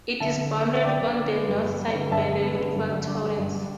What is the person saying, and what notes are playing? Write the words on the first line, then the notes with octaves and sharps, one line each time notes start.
It is bounded on the north side by the River Torrens.
D3 E5 A5
D3
D4
B3
E5
D3 D5 G5
D3
D4
B3
G2
G2
B3
D3
G2 E5 A5
G2
B3
D3
G2
G2
D4
G3
G2